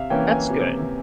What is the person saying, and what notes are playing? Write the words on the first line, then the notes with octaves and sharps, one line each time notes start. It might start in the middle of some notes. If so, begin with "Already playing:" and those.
That's good.
Already playing: C3 E5 F5
E3 A#3 C#4 G5
G#5
C3